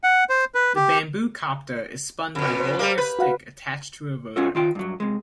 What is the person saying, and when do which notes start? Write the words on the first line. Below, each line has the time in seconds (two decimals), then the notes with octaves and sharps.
The bamboo-copter is spun by rolling a stick attached to a rotor.
0.04 F#5
0.29 C5
0.55 B4
0.76 G4
2.35 F2 B2
2.60 C5
2.79 G3 A#3
2.98 B4
3.19 F#4 F5 F#5
4.36 C#4 F4 F#4 A4
4.55 D#3 F4 G5
4.75 G2 F#3
5.00 C3 G#3